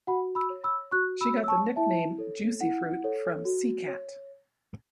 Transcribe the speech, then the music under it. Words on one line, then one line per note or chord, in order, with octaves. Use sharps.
She got the nickname "Juicy Fruit" from C-Kat.
F#4 F#5 B5
B5 E6
C#5
B5 E6
F#4 C#6 F#6
B5 E6
C#5
E6
A5 C#6
E4 E5 A5
A4 C#5
E4 F#5
A4 C#5
F#4
C#5